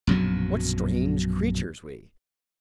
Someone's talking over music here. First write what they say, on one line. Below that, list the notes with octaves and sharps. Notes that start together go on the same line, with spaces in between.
What strange creatures we!
A#1 F#2 B2 F#3